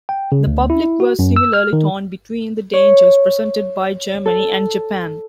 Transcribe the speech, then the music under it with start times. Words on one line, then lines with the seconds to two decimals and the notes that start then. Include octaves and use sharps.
The public was similarly torn between the dangers presented by Germany and Japan.
0.09 G5
0.32 C#3
0.47 D2
0.70 E4
1.00 F#4
1.19 F#2
1.36 E6
1.53 F6
1.73 D#3
2.74 C#5
4.26 A4